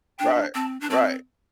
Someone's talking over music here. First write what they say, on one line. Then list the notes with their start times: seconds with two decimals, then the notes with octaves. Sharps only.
right. Right.
0.19 D4 G5
0.54 C4 A5
0.81 D4
0.90 C4 A5